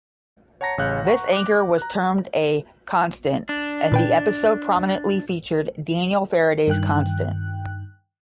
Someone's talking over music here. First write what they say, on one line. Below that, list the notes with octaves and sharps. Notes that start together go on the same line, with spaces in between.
This anchor was termed a "constant," and the episode prominently featured Daniel Faraday's constant.
C#5 F#5 A5 A#5 A#6 C#7
A1 C#3 C#5 F5 F#6 G6
F#5 A#5 C#6
D6 F#6
A#5 F#6
D4
A#2 B4 G5
G2 D#3 G5 F#6